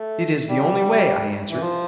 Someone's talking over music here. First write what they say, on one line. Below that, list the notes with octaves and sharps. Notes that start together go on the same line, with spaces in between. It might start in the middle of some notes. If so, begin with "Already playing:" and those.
"It is the only way," I answered.
Already playing: A3
G3
E3
F3